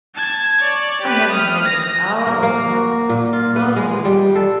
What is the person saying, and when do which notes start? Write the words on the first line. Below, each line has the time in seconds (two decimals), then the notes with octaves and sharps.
I haven't had an hour of comfort;--not an hour.
0.15 A5 G#6
0.61 C#5 D5
1.01 G4 B4
1.31 D#6 F6
1.66 A#6
2.27 A#3
2.43 A#3
2.71 F#4
3.09 A#2
3.33 F4
3.56 B4
3.76 G#3
4.05 G3
4.35 A4